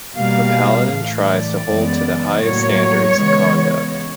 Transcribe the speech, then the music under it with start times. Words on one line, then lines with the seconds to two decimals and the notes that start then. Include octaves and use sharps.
A paladin tries to hold to the highest standards of conduct.
0.17 B2 G3 A#3 F5
0.92 A2 E3 A3
1.30 D5
1.67 F#2 C#3 E3 G#3 B3
2.42 A2 F#3 A#3 C#5
3.16 C#3 E3 G#3 B3